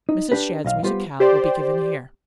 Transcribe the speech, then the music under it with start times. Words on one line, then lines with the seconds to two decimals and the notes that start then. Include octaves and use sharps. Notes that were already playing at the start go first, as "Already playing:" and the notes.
Mrs. Shadd's musicale will be given here.
0.09 D#4
0.32 D4 G4 B4
0.64 B1 D#5 F5
0.83 G3 B3 F4 G4 C5
1.20 G4 C5 D5